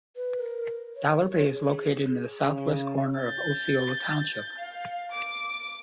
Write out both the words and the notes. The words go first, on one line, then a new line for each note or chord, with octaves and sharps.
Dollar Bay is located in the southwest corner of Osceola Township.
B4
A#4
C#5
C#5
G#4
G#4
C#3
G6 A6
F5
D6